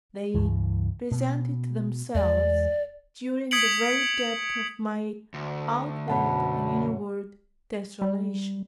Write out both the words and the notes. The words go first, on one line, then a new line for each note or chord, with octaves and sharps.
They presented themselves during the very depth of my outward and inward desolation.
C#2 G2 E3
B2
E2 G#3 D5
D#6 G#6 B6 C#7 D7 F#7
D2
F#2 B2 F#3 F#5 A5 B5
G3